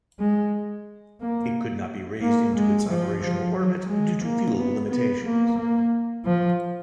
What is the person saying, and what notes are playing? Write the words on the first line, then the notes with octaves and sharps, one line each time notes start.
It could not be raised into its operational orbit due to fuel limitations.
G#3
A#3
A#3
G#3
F3
F3
F#3
G#3
A#3
B3
B3
A#3
A#3
F3